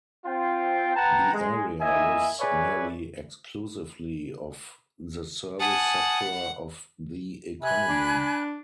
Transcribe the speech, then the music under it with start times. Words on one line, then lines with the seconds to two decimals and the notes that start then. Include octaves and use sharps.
The area lives nearly exclusively off the service sector of the economy.
0.25 C4 F4 G5
0.95 B4 F#5 G5 A5 A#5
1.33 G#3
1.80 A#3 E4 D#5 E5 G#5
2.40 G#4 B4 C#5 D5 E5 G#5
5.60 F#5 G#5 A5 D#6
7.62 C3 G#5 B5 F#6
7.89 D4